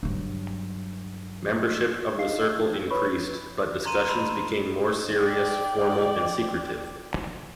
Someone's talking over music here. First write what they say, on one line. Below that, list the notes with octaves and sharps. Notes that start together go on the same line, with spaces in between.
Membership of the circle increased, but discussions became more serious, formal and secretive.
G2 F#3
D#4 G#4 D#5 F5 C7
D#4
B4 C#5 B5 C#6
A#5 C6 D#7
B5 C6 E7
D5 G5